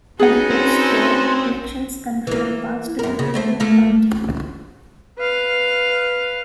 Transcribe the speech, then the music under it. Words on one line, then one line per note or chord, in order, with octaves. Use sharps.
In post-war elections control passed to the Labour Party.
C#4 D#4 F#4 G#4 B4 F#5 G#5 A5
C4
E3 A#3
F#2 A#4
C#3
D2 A3 C5
A3 A#3 F4
B4 F5